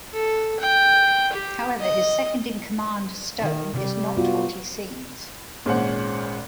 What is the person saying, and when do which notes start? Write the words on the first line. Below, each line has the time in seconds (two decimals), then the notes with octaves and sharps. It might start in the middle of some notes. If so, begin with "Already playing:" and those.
However his second in command Stone is not what he seems.
0.13 A4
0.60 G5
1.33 G4
1.80 D#5
3.40 D#3
3.74 C3 G3
4.17 B3 F4 F#4
5.65 G#1 A#2 G#3 C#4 C5 F#5